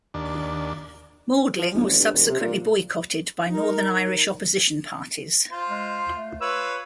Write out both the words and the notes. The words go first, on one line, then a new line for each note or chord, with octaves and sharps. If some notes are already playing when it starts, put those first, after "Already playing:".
Maudling was subsequently boycotted by Northern Irish opposition parties.
D#2 D4
F3
D1
A1
G2
E1
C3
A#2
D#4 A#4
F4 C5
G#3
A3
F4 B4 C#5 E6